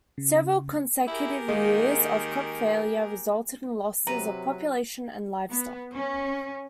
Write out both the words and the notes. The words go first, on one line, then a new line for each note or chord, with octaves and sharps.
Several consecutive years of crop failure resulted in losses of population and livestock.
C#3
E4 G4 G#4 A#4
D#3 G#3 A#3
C3 F#3 B4 A#5
B3
C#4